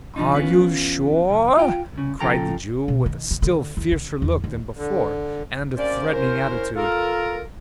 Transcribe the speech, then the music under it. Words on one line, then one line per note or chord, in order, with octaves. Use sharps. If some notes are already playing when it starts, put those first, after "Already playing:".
'Are you sure?' cried the Jew: with a still fiercer look than before: and a threatening attitude.
D#3 F3 D4 D#4
E3 B3 C#4 F4 B4
B1 E2
F4 G5
C2 C#3
C#3 F3 A4 G5 A#5
B2
D#3
D3
D3
E2
D3
E2
D#2
D3
C3 A#3 C#4 C5 D5
A#3 C#4 E4 A#4 C5
F4 A4 A#4